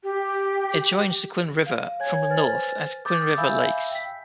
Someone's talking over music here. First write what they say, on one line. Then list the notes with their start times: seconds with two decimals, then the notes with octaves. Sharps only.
It joins the Quinn River from the north at Quinn River Lakes.
0.03 G4
1.66 F5
2.00 C#5 G#5 G#6
2.29 B4 C5 G#5 F6 A6
3.05 D6 D#6 G6 A6
3.37 E5 F5 G#5 B5 E6 G6
3.91 G5 B6